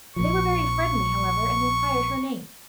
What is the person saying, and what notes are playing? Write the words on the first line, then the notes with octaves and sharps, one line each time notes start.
They were very friendly, however, and inquired her name.
A#1 F3 C#6